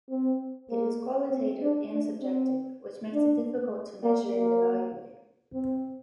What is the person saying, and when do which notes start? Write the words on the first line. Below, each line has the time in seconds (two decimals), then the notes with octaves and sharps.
It is qualitative and subjective which makes it difficult to measure and evaluate.
0.10 C4
0.71 A#3
1.32 C4
1.62 D4
1.92 D4
2.22 C4
3.13 D4
4.03 A#3
4.34 A#3
5.54 C4